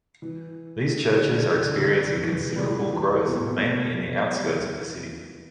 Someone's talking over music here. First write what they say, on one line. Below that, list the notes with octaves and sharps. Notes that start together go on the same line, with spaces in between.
These churches are experiencing considerable growth, mainly in the outskirts of the city.
E3
D3
D3
D3
G3
E3
E3
E3
G3
G3
E3
G3
E3
B2
A2
B2
G3
E3